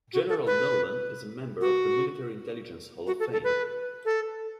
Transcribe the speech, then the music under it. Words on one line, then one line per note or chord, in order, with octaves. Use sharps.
General Nolan is a member of the Military Intelligence Hall of Fame.
F#4
A4
B4
F#4
F#4
A4
A4
B4
A4